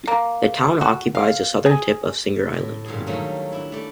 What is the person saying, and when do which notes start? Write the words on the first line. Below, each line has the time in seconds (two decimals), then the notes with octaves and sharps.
The town occupies the southern tip of Singer Island.
0.07 A#3
0.81 F#4
1.15 F5
1.66 G#4
2.53 A2
2.85 G2 A#2 D3 G#4
3.07 D#3 F#3 G3 A3 A#3 C#4
3.52 D4 E4
3.72 A3 D5